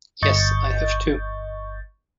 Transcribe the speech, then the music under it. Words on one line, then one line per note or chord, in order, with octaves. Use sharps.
Yes, I have two.
G1 D#5 C#6 G6 A6